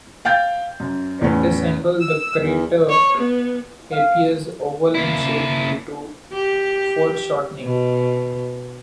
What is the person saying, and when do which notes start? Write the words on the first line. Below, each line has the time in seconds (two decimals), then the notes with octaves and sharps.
At this angle the crater appears oval in shape due to foreshortening.
0.25 F5 G5 G6 A6
0.80 F#2
1.21 E2 A2 C#4
2.00 E6
2.39 E2
2.89 C#5
3.17 B3
3.91 F5
4.95 A#3 E4
6.33 G4
7.62 B2